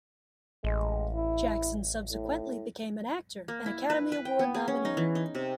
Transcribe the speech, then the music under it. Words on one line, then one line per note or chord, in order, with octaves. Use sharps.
Jackson subsequently became an actor and Academy Award nominee.
A1 G#3
E4
A2
A#3
E4
B4
B4
G5
B3
G#4
C#4
D#4
E3
D#4
C3